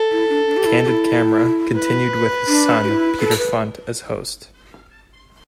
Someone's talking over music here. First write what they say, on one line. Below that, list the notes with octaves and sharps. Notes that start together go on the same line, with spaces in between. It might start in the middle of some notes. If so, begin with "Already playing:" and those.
"Candid Camera" continued with his son, Peter Funt, as host.
Already playing: A4
E4
D4
D4
G4
E4
G4
E4
B4
D4
G4
E4
A4
B4